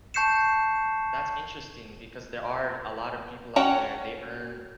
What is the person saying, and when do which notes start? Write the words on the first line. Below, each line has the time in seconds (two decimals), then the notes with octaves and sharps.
that's interesting because there are a lotta people out there, they earn
0.14 A5 C#6 G6 C7 C#7 E7
3.56 C#4 F#4 C#5 F#5 G5